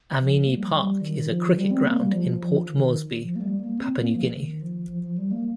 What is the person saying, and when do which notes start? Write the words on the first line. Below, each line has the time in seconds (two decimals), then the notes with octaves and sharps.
Amini Park is a cricket ground in Port Moresby, Papua New Guinea.
0.18 F3
0.45 A#3
0.56 G3
0.65 F3
0.76 G3
1.01 D#3
1.28 F3
1.57 G3
1.70 C4
1.84 A#3
1.98 G3
2.12 F3
2.40 F3
2.67 D#3
3.23 F3
3.36 A#3
3.41 G3
3.60 A#3
3.79 C4
3.97 A#3
4.15 F3
4.33 D#3
4.62 F3
4.89 F3
5.03 F3
5.18 G3
5.31 A#3